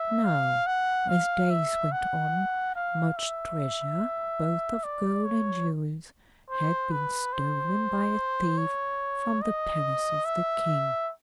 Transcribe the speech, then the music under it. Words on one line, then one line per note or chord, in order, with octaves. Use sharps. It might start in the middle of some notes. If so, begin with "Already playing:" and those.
Now, as days went on, much treasure, both of gold and jewels, had been stolen by a thief from the palace of the King.
Already playing: E5
F5
F#5
F5
E5
F#5
F5
E5
D5
C#5
C5
B4
C5
C#5
D#5
E5